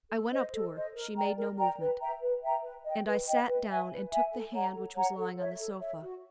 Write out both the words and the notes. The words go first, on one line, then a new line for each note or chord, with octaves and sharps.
I went up to her; she made no movement, and I sat down and took the hand which was lying on the sofa.
A4
C5 D#5
A4
C5 D#5
A#4
D5 G5 A#5
A#4
D5 G5 A#5
B4
E5 G5 A#5
B4
E5 G5 A#5
B4
D#5 G5
B4
D#5 G5
B4
E5 G#5
B4
E5 G#5
A4
C#5 F#5 A#5
A4
C#5 F#5 A#5
A4
C#5 E5
A4
C#5 E5
F#4